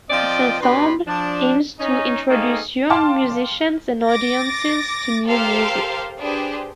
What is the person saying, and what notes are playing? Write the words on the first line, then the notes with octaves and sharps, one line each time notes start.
This ensemble aims to introduce young musicians and audiences to new music.
F3 C4 F4 D5 D#5 G5
B2 D4 G4 B4 B5 C6
F3 D4
C#4 D#4
A3 A#3 C4 D#4 G#4 F5
F5 G5 A5 C6 D6 F6
D6 A6 A#6
G4 A4 A#4 C5 F5
D4 G4 G#4 B4 C5